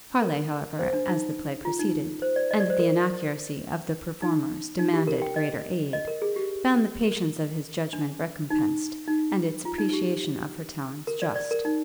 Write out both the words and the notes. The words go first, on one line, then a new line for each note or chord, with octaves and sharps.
Harleigh, however, as the play proceeded, and the inaccuracy of the performers demanded greater aid, found the patience of his judgment recompensed, and its appreciation of her talents just.
A#4
C5
D4
D#4
F4
D#4
C5
D5
D#5
D5
C5
A#4
D#4
D#4
G4
A#4
G5
D#5
D#5
A#4
G#4
G4
A#4
D4
D#4
D#4
F4
D#4
G4
A#4
D5
D5
A#4
D#4